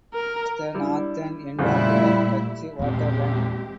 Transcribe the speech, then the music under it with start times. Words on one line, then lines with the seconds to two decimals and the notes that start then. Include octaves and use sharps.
Muiden was the northern end of the Dutch Water Line.
0.14 A#4
0.75 G3 D4 E4
1.59 F2 A#2 C#3 G3 A3 E4 F4
2.79 E2 A#2 G#3 C4 G4